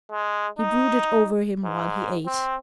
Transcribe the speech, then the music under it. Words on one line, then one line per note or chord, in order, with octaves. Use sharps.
He brooded over him while he ate.
G#3
D#4
G#2
C4